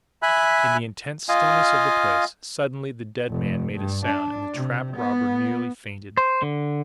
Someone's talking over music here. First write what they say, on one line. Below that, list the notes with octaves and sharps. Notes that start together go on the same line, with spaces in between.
In the intense stillness of the place, suddenly the dead man made a sound; and the trap-robber nearly fainted.
E5 G#5 B5 F#6
F4 D#5 F5 G#5
F1
G2
D4
C3
B3
C5
D3